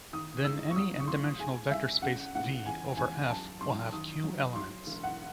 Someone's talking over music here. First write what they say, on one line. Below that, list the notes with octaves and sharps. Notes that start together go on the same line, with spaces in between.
Then any "n"-dimensional vector space "V" over F will have "q" elements.
D#3 D#6
G#3 E6
C#6
F#3 D#6
C#6
A1 C6
G#3 G#5
C2 E5
C#3 F#5
C#2 F#5
E2 G#5
E2 G#5
F#2 A5
F#2 C6
D#3 D#6
F#3
F#3 C6
E1
F#5